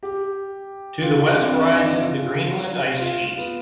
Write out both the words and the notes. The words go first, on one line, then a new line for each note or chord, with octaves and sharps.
To the west rises the Greenland Ice Sheet.
G4
F4
D4
C4
D4
D#4
F4
F4
F4
B3